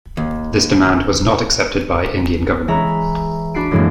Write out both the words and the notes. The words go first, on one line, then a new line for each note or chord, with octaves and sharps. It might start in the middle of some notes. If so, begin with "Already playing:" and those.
This demand was not accepted by Indian government.
D#2
E3 G#3 C#5 E5 A#5 B5
D4 F#4 B5 C7 D7
F#2 A2 E3 G#3 A#3